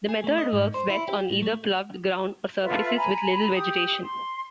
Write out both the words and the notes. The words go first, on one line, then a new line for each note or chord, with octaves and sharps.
The method works best on either ploughed ground or surfaces with little vegetation.
G#4
A3
D#5
G#2
C5
E4
G4
A2
A3
F4 A4 B4 E5
G#5 A#5 B5
G4 D#6
C6